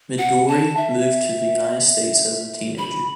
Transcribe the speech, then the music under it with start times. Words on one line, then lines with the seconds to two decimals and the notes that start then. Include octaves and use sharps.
Midori moved to the United States as a teenager.
0.18 F#5
0.48 A5
0.77 E5
2.78 B5